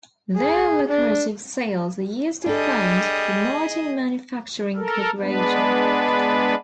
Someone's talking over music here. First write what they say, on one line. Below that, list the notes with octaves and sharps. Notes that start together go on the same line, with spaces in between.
Their lucrative sales were used to found the Martin Manufacturing Corporation.
G#4
D4
G3 D4 G#4 A4 D#5
A4 A#4
G#3 B3 D4 B4